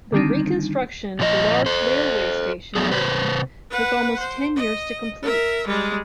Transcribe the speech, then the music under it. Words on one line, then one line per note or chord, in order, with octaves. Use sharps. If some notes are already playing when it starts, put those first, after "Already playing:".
The reconstruction of the Largs railway station building took almost ten years to complete.
D3 D#3 G3 C4 D4 D#4
A#2 F3 B4 D#5
A4 C5
F2 F#3 A3 B3 D4 G#4
C3 B4 C5
B4 F#5
C5
D#5
A#4 E5
G3 G#3